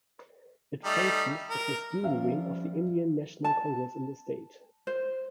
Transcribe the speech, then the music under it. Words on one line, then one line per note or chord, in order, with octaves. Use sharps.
It functions as the student wing of the Indian National Congress in the state.
G3 A3 D#4
A#4
F3 G3 C#4 E5 F5
A5
C5